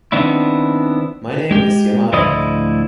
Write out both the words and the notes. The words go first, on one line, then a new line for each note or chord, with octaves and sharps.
My name is Yamada.
D#3 B3 C4 D4 E4
G#3 G4
D2 A2 F3 E4 D5 D#5